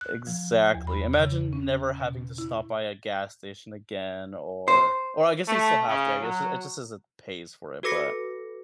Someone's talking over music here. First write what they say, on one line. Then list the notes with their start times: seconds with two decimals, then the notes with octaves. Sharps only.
Exactly. Imagine never having to stop by a gas station again, or or I guess you still have to, I guess it just says it pays for it, but
0.01 F#6
0.27 F3
0.75 E2
0.87 B5
1.17 C#3
1.53 C#4
2.00 B2
2.38 E4
4.68 C5
5.48 A3
5.88 C#3
6.21 F#3
7.83 F#4 A4 B4 D6 A#6 C#7